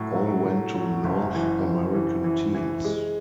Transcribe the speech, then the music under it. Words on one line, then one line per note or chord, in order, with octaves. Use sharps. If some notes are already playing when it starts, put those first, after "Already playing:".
All went to North American teams.
Already playing: A2 F#3 A3
F#3
F#3
F#3
F#1
E3
F#1
E3
E3
E3
G#3